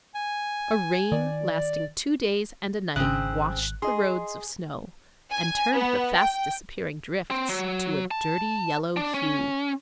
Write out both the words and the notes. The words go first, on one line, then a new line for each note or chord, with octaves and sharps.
A rain lasting two days and a night washed the roads of snow and turned the fast disappearing drifts to a dirty yellow hue.
G#5
D#3 D5
G#1 C#3 C4 F#6
G#4 D#5 C6
G#5
B3
G5
C4
F#3
A5
D4
C#4